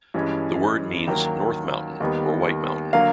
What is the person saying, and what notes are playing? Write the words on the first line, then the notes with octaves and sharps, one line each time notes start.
The word means "north mountain" or "white mountain".
G2 E3 G#3 C#4
D#2 D#3 F#3 A#3 G5
D#2 D#3 G3 B3
D3 F#3 A#3 F5